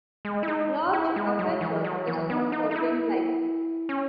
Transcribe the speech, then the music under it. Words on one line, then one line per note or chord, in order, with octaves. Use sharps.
Large aperture is good for dim light.
G#3
E4
D#4
E4
G#3
F#3
E3
F#3
E3
B3
D#4
D#4
E4
C#4